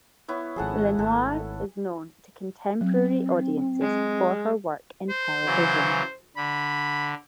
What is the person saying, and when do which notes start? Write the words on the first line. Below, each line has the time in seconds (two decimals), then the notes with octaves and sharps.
LeNoire is known to contemporary audiences for her work in television.
0.28 B3 E4 C#5
0.56 G#1 F3 G#4 A4 F#5
0.99 G#1 A3 A4
2.81 F#3 C4
3.81 G#3
5.10 C5
5.45 C#3 E3 F#3
6.37 D3 B5